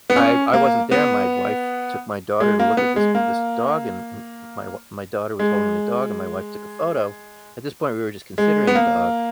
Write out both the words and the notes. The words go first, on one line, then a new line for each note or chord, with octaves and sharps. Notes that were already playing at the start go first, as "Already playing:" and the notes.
I I wasn't there. My wife took my daughter to look at this this dog, and and my w my daughter was holding the dog, and my wife took a photo. At this point, we were just considering a dog.
B3
C#4
A#3
B3
G#3
A#3
B3
G#3
A#3
G#3
G#3
B3
A#3